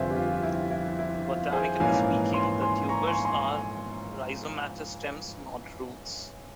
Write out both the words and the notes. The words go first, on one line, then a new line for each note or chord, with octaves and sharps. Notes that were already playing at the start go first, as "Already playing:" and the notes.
Botanically speaking, the tubers are rhizomatous stems, not roots.
Already playing: G1 F2 C3 F4 G#4 C5 E5
G4
F4
E4
E4
E4
F4
G#4 C5
A#1 G#2 E3 A#3 C#4 F5 G#5
G#5 C6
G#5 C6
A#5 C#6
G#5 C6
G#5 C6